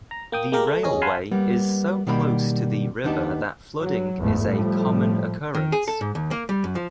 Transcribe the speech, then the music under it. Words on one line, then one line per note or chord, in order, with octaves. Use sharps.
The railway is so close to the river that flooding is a common occurrence.
A#5
A#3 G5 D#6
G#3 A#3 G4 A#4
A3
E2 C#4 G#4 D#5
F5 F#5 G#5 A5 B5 C6
G3 A#3 B3
B2 D#3 G3 A#3 B5
D#2 B3 D4 D#4 G4 A5
F#3
G1 E2 G#2 A3
A2 F3 G3 A3
D#3
G#4
A4
G#2
D#2
A#3
G3
F#2
F3